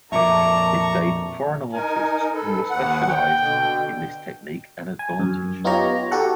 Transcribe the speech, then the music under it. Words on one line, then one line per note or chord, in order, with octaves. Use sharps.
This gave foreign artists who were specialized in this technique an advantage.
F2 A#2 A#4 E5 A5 A#5 C#6 D6
D#4 A#4 G#5
A4 B4
D#2 F#5
G5
B2 D3
G#5
F#2
B3 D#4 F4 G4 C#5 A#5
F#4 G4 A4 F#5